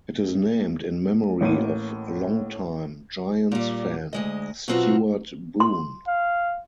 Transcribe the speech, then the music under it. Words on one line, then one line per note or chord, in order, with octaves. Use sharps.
It is named in memory of long time Giants fan Stewart Boone.
A1 A2 A#3 D#7
A#2 G3
D2 G#3 D#5
B2 F#3 C4 F4 F#4
C6
F5